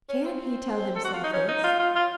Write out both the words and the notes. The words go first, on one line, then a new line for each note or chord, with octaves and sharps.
Can he tell himself this?
C#4
C4
A4
F#4
F4
D#4
C#4
D#4
F4
F4
F4